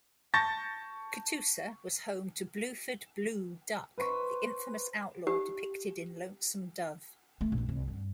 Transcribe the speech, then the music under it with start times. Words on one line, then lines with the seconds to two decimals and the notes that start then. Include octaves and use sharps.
Catoosa was home to Bluford "Blue" Duck, the infamous outlaw depicted in "Lonesome Dove".
0.34 A5 C#6 G6 A6 A#6
3.98 B4 C5 B5 C#6
5.27 G4
7.41 A3
7.52 A#1
7.69 C2
7.88 G2